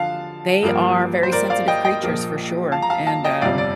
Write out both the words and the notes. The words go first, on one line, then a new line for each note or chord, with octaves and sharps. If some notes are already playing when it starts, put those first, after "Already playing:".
they are very sensitive creatures for sure and, um
Already playing: D3 F3 F5 A5
G2 F3 A#3
C5
A#4 D5
D5 F5
D#5 G5
D#5 G5
A#1 A#2 F3 A#3
F5 A5
A#5
F5 A5
F5 A5
D#5 G5
G1 F2 C3 G3 D5 F5
D5